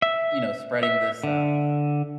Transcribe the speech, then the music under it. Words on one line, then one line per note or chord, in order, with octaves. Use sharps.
You know, spreading this, um
E5
E5
D3